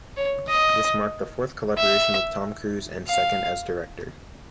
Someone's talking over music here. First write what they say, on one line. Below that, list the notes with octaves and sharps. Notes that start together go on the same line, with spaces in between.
This marked the fourth collaboration with Tom Cruise and second as director.
C#5
D#5
E5
F5